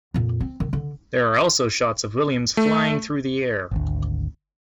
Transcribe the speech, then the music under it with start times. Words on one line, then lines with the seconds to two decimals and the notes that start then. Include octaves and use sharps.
There are also shots of Williams flying through the air.
0.14 F2 A#2
0.40 C4
0.60 D#3
0.73 D3
2.57 A3
3.71 G#1 D2